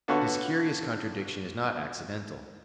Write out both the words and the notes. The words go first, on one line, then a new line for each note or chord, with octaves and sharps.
This curious contradiction is not accidental.
D3 B3 F4 F#4 A4 C#5